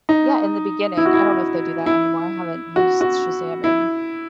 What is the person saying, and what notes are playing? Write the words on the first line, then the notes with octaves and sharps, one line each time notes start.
Yeah, in the beginning, I don't know if they do that anymore, I haven't used Shazam in
D#4
E4
F#4
E4
E4
F#4
F#4
E4